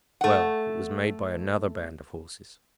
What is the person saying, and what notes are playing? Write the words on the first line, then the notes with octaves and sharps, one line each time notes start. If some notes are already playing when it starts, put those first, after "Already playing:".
"Well, it was made by another band of horses."
A3 F#5